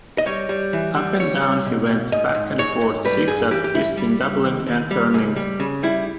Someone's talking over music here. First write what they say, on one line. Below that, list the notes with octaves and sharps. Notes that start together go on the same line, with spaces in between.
Up and down he went, back and forth — zig-zagging, twisting, doubling and turning.
D#5
G3 C#5
G3
E3
G3
G3 C#5
G3
B2
B2
G#2 D#5
G#2
G#2 C#5
G#2
G3 B4
G2 G#4
E3 G4
G4
G2 E4
G3
G3
D#2
D#2
G3
C#2
G3
C#3
G3 E4